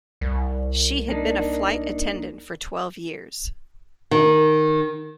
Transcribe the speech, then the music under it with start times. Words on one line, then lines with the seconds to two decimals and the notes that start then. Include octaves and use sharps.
She had been a flight attendant for twelve years.
0.21 C2
1.08 A#3 D4 D#4
4.11 D#3